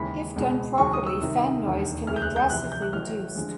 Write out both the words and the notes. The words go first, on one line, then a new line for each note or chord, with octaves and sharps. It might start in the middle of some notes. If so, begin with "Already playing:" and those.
If done properly fan noise can be drastically reduced.
Already playing: D#2 C#3 E3 G#3 B5
C#2 B2 G#3
D#2 C#3 F#3 C#6
D#6
E6
C2 C3 D#3
E1 D#2 D3
E1 D2 C#3 E3 G#3 F6
G6
F#6
G6
E2 C3 F3 F#6
G6
F#6
A1 A2 F#3 F6
D3 F3 G#3